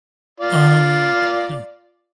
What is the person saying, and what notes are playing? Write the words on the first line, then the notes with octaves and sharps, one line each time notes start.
Um. Hmm.
F4 D5